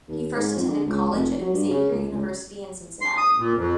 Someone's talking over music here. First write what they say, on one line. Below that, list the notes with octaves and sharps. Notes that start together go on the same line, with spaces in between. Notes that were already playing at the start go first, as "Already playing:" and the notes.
He first attended college at Xavier University in Cincinnati.
D#2
G#2
F2
D3
C#2
F1
F#3
G2
C#3
C#2
C#2
C6
D#6
A#2
F2